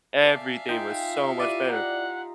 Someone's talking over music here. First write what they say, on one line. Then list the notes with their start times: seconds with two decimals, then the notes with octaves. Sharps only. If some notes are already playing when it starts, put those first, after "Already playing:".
Everything was so much better,"
0.24 D5 E5 F5 G#5 A5
0.69 D#4 F4 G5
1.39 E4 G4 D5 D#7
1.69 F#5 A#5